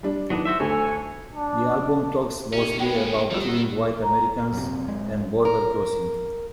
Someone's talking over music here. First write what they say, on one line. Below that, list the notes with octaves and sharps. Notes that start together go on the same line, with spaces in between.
The album talks mostly about killing White Americans and border crossing.
G3 D4
A2 D#3 F#3 B3 D4
F#4 C5 E5
D2 A3 A4 C#5 G#5
D4
C3 D#3 C#4 G4
G#3 B3 B4 G5
C#3 A#3 F4
D#3 F#3 G3 F#4 B4 D5 E6
B3 F#5
A#5
F#2 C3
D1 G#3
A#4